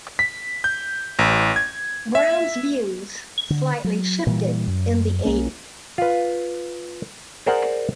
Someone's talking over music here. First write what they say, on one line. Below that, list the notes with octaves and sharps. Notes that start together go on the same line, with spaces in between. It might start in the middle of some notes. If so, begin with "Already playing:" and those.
Brown's views slightly shifted in the eighties.
B6
G6
A1
G#6
E5
D3
F#3
A#2 E3 G3
F#2
B1 A#3 C#4
F4 B4
G#4 A#4 C5 D5 F#5